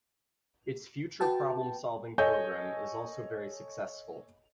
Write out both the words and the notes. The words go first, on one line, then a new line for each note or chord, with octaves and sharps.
Its Future Problem Solving Program is also very successful.
F#4 B4 G5 A5
A4 C#5 D#5 G#5 G6